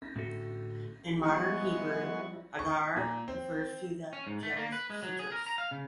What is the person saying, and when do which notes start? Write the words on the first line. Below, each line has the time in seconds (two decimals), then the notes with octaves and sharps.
In modern Hebrew, "hadar" refers to the genus "Citrus".
0.16 A2 D3 F#4 A4
1.23 F3 G3 G#3 B3 E4 F#5 C#6
2.59 C#6
2.96 A#2
3.28 C4
4.13 C#4
4.27 G#2
4.43 A3
4.56 A#3
4.72 B4
4.90 G#3
5.03 F#3
5.19 G#4
5.32 A#4
5.46 A#5
5.58 F5
5.71 C#3